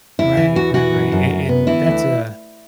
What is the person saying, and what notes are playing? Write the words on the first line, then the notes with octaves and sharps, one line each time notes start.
Right, ri right an and that's a
E2 E4
E3
E2 F#4
E3 F#4
F#2
F#2
F#2
B3
E3 E4
D2